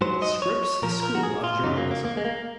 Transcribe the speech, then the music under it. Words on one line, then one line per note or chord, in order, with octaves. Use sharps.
Scripps School of Journalism.
G#2 F#3 C5
D#5
C#5
A#2 F3 A#4
A#4
F#4
G#4
F4
F#2 C#3 F#3 D#4
A#3
A#3
A#3
G#3
A#3